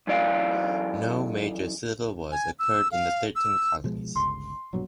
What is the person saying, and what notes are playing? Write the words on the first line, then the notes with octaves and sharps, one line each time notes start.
No major civil wars occurred in the thirteen colonies.
F#2 E3 D5 F5
G#5
E6
F5
E6
B2 F3 G#3
G1 C#2 C6
A#1 G2 B2 F#3